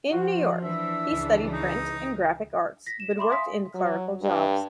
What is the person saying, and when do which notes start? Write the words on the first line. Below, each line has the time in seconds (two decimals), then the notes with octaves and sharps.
In New York, he studied print and graphic arts but worked in clerical jobs.
0.11 F3 F#4
0.63 E3 D4 E5
1.08 C#2
1.52 D#4
2.86 A#6 B6
3.00 E7
3.18 E5 B5 C6 D6
3.30 E5 F5 G#5 C6 D#6 B6
3.74 F#3
4.22 G2